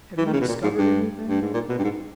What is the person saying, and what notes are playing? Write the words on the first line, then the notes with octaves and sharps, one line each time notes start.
"Have you discovered anything?"
E3
D#3
C#3
B2
A#2
G#2
G2
G2
G#2
A#2
B2
G2
G#2